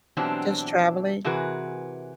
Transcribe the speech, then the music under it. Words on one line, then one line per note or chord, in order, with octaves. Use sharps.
Just traveling?
B2 E3 F#3 C4 D4 G4
C3 E3 F#4 G#4 A#4 B4